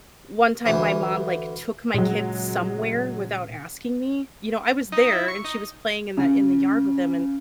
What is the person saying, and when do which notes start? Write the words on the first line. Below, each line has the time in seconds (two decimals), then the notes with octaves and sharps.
one time my mom, like, took my kid somewhere without asking me, you know, I was there, and she was playing in the in the yard with him, and
0.66 D2 E3
1.94 A#2 C#3 F#3 G#3
4.92 D#4
5.12 E4
5.28 C#6
5.44 D#4
6.17 C#3